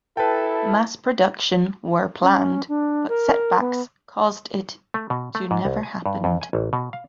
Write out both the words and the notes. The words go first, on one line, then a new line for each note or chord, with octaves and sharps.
Mass production were planned but setbacks caused it to never happened.
E4 A4 B4 G5 A5
C#4
D4
A#4
B3
A3
B2
A3
G#2
C2
G#5
G2
F2
G#5
A1
B2
F5